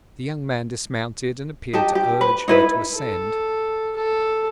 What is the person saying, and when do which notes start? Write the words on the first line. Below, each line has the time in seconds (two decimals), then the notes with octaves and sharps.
The young man dismounted, and appeared to urge her to ascend.
1.73 D#4 G4 A5
1.95 G4
2.21 B4
2.48 D#4 E4 B4
2.95 A4
3.96 A4